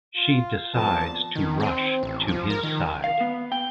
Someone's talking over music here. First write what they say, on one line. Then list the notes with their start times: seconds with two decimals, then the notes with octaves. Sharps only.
She decides to rush to his side.
0.17 F4
0.75 F2 A#2 B3 A5
1.35 D#3
1.60 C4
2.03 A1
2.28 F3
2.50 A#4
2.63 D#3
3.04 F5
3.20 B3
3.52 G5